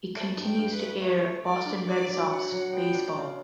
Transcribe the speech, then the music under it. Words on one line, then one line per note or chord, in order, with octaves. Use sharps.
It continues to air Boston Red Sox baseball.
A3 A5
G2
G5
G2
B4
A3
A3 C#5
A3
E4 D5
G2
D4 D5
F#3
D4 F#5
F#3
B3 G5
D4
C#3